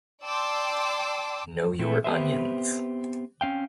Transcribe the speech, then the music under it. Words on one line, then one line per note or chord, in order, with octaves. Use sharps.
Know your onions.
D5 G5 A5 C6 D6 E6
A#2 A3 C4 E4
B3 C4 G4 B4 C5 E5
C4 C#4 F5 G5